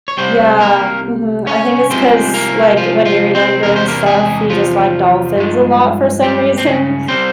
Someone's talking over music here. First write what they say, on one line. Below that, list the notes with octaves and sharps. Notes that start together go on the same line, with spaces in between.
Yeah, mhm, I think it's 'cause, like, when you're younger and stuff, you just like dolphins a lot for some reason,
C#5
C2 C3 G3 C4 C5
A#3 A#4
C#4 C#5
C2 C3 F3 G#3 C4 C5
A#3 A#4
F3 F4
F3 F4
C4 C5
E2 C3 G3 A#4
C5
A#3 A#4
G#3 G#4
F3 F4
G2 F3 G#3
G3 G4
C4
C#3 C#4
G3 C4 C5